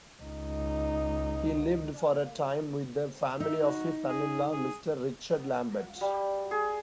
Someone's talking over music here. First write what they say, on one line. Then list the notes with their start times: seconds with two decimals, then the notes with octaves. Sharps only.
He lived for a time with the family of his son-in-law, Mr. Richard Lambert.
0.22 C#2 D#4
3.40 D#4 E5
3.62 F#4
4.09 G#4
4.52 G#4
6.01 G3
6.51 G#4